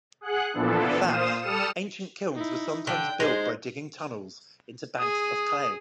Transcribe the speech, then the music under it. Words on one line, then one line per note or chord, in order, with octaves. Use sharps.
In fact, ancient kilns were sometimes built by digging tunnels into banks of clay.
G#4 F#5 F#6
A#2 E3 F3 B3 D4 A4
A#2 C5 F5 D#6 E7
G3 A4 D#6 F6 C#7 E7
D#4 E4
D3 G5
G#3 D#4 C5
G#4 D#6